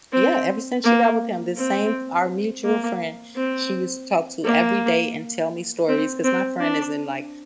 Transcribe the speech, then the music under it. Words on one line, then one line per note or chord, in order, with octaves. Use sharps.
Yeah, ever since she got with him, the same our mutual friend, she used to talk to every day and tell me stories- 'cause my friend is in, like,
C4
A#3
C4
A#3
C4
A#3
C4
C4
D4